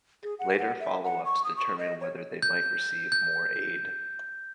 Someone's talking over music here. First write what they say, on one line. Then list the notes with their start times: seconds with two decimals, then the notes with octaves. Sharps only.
Later follow-ups determine whether they might receive more aid.
0.23 G#4
0.39 F#5
0.58 F#5
0.80 E5
1.04 F#5
1.25 C#6
1.44 D#6
1.57 C#6
1.78 D#5
2.01 C#5
2.42 G6
3.12 G6